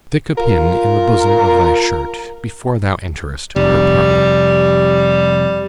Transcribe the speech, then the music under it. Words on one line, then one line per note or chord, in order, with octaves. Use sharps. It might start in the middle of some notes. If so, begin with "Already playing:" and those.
Stick a pin in the bosom of thy shirt, before thou enterest her parlour.
F4 A#4
F1 G3